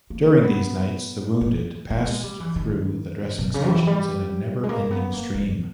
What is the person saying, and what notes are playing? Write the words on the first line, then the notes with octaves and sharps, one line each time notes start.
During these nights the wounded passed through the dressing stations in a never-ending stream.
A#3
B3
B3
E3
A#3
G#3
G3
E3
D#3
B2
C#3
G3
E3
G3
G#3
A#3
B3
A#3
G#3
B2